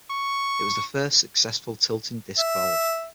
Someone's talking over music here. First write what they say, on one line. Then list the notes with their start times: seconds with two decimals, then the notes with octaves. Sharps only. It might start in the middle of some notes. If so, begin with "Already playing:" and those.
It was the first successful tilting-disc valve.
0.11 C#6
2.38 E5